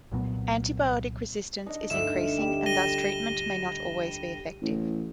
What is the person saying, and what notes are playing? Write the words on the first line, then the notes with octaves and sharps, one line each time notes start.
Antibiotic resistance is increasing and thus treatment may not always be effective.
C2 A#2 F#3 B3
D4 D#4 D#5
G1 D2 E5 E7
G3 A3 G5
A#6 D#7 G7
A1